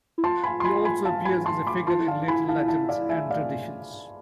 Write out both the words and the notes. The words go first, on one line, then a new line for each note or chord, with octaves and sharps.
He also appears as a figure in later legends and traditions.
E4
F4 A5 C6
G#5 B5
C6
G#5 B5
G#5 B5
F5 A5
G#5 B5
A5 C6
B5 D6
F4 A5 C6
E4
D4 F5 A5
E4 G#5 B5
F5 A5
F5 A5
D5 F5
E5 G#5
D5 F5